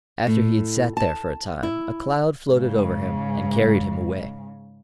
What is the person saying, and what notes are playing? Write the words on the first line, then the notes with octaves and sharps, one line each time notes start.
After he had sat there for a time, a cloud floated over him, and carried him away.
A2
A5
E4
G#2 C#3